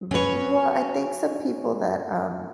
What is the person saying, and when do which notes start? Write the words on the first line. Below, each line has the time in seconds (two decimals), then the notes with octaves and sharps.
Mm, well, I think some people that, um
0.11 F#3 C#4 B4 C#5